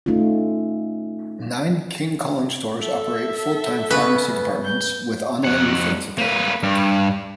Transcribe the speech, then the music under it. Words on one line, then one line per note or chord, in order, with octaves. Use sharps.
Nine King Kullen stores operate full-service pharmacy departments, with online refills available.
A3 C#4 D#4 F4
A4 E5
C#3 B3 B4
G6
F2 F#5
A#3 B4
G2